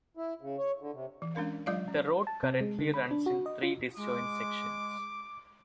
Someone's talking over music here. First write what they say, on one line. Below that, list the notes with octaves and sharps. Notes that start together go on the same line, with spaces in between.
The road currently runs in three disjoint sections.
E4
C#3
C#5
D3
C3
E3
G#3 C#4 D4 A#4 F5
F#3 G#3 F4 D5 D#5 F5
C#4
A5
C3
G#3
D3
B5
D4
F#4
D#5
F4
G#3 D6